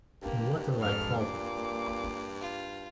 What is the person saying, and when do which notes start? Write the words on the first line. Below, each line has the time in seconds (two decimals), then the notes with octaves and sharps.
What'll I call them?
0.23 G2 A#3 G4
0.81 F2 G#2 A4 F6
1.21 A#2 A#3 D6
2.41 F4